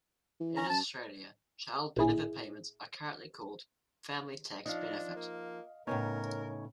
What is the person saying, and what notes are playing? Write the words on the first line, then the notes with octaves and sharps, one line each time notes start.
In Australia, Child benefit payments are currently called Family Tax Benefit.
E3
C#4 A#5
F#2 A5
A1 A#2 E4 G#4
F3 D4 D#4 D#5 F5
A#3
A2 C#3 B3 D#4 A#4 C#5 G#5